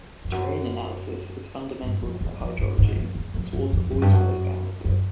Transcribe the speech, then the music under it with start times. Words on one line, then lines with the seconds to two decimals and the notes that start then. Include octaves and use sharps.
Terrain analysis is fundamental to hydrology, since water always flows down a slope.
0.24 F2
0.32 F#2
1.83 G2
2.02 F2
2.21 E2
2.40 F2
2.59 G2
2.78 G#2
2.96 F2
3.15 E2
3.34 F2
3.53 F#2
3.73 F2
3.91 F#2
4.02 G2
4.13 F#2
4.85 F#2